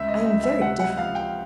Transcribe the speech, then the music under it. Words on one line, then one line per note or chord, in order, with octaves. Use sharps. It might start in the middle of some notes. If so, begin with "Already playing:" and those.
I am very different!
Already playing: C#2 E5
D#5
C#2 E5
E5
C3 F#5
F#5
F3 F5
G5